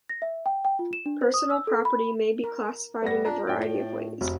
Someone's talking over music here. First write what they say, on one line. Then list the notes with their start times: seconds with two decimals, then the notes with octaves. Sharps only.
Personal property may be classified in a variety of ways.
0.09 A#6
0.22 E5
0.46 G5
0.65 G5
0.79 F4
0.93 E7
1.06 D4
1.21 C5
1.34 D#6
1.50 E6
1.67 A4
1.85 B5
2.44 A#4
3.02 G3 B3 F#5 A#6
3.25 D4 F4 A#5
3.47 A2 D5 E5 G5
4.21 F1 F#4